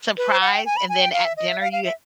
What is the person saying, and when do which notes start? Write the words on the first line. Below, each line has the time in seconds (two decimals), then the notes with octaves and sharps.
"Surprise," and then at dinner, you
0.18 B4
0.29 C5
0.41 F#5
0.53 G5
0.66 G#5
0.77 B5
0.89 G#5
1.01 G5
1.13 F5
1.25 E5
1.37 D#5
1.48 E5
1.61 F5
1.72 F5
1.85 E5